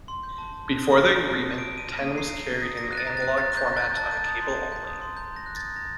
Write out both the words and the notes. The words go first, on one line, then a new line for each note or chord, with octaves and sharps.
Before the agreement, Ten was carried in an analogue format on cable only.
C6
G6
A5
A5
F#6
D#6
A5 A#6
A5
F#6
D#6
A#5 D7
A#5 D#7
G6
D#7
D#6
A#5 C7
A#5
G6
D#6
A#5 A#6
F#6
A6
A#5
F#6 A6
A#5 A6
F#6 G6
A#5
A6
F#6
A5 A6
G6
D#6
C6
A5
G6
D#6
C6
A#5 G6
A#5
A#6
F#6
D#6 A6
A#5 A#6